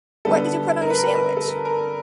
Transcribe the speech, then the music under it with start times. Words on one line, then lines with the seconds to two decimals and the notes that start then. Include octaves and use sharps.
What did you put on your sandwich?
0.25 D3 G3 B3 D4 A4
0.81 A#4
0.90 B4
0.98 A#4
1.10 B4
1.37 A4
1.65 A#4